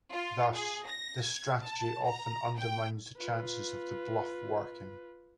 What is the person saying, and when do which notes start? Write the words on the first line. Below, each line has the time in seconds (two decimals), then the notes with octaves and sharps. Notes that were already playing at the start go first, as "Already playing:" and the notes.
Thus, this strategy often undermines the chances of the bluff working.
0.11 F4
0.53 G#4
0.86 A#6
1.25 G#6
1.61 A5
2.05 A#5
2.57 G5
3.17 F4 B4